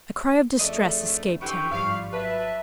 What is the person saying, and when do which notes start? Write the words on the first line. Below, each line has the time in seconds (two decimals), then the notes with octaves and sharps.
A cry of distress escaped him.
0.59 F2 C#3 A3 D4 D#5
1.41 D3 E3 G4 C5 B5 C#6
1.71 G#1 G2 F3 G3 F5
2.13 F#3 B4 E5 A5